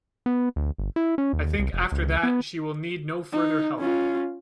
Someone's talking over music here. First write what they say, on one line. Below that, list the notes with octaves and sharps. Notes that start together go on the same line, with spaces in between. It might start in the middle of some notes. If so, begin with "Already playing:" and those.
I think after that she will need no further help.
B3
D2
G1
E4
C#4
D#2
C2
F1
C#2
B3
D#4
C#4 F4